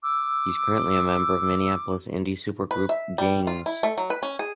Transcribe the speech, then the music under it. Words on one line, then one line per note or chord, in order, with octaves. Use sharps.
He is currently a member of Minneapolis indie supergroup Gayngs.
D6 E6
B4
E5
G3
F4
E4
A3
F#3
B4
C#4
G#4